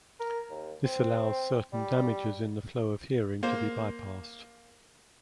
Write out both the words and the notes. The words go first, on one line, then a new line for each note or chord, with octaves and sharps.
This allows certain damages in the flow of hearing to be bypassed.
A#4
D#2
C4
G3
A#3 C5